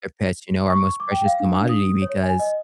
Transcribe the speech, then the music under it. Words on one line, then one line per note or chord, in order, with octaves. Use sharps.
their pets, you know, our most precious commodity because,
C#6
D6
G5
F5
D4
D#6
C#5
G#5
D#5